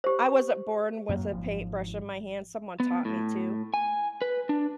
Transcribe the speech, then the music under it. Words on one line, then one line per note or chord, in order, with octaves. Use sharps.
I wasn't born with a paintbrush in my hand, someone taught me to,
G4 C5
F#2 F#3 A#3
G#1 F3
B3
A2
G#5
B4
D4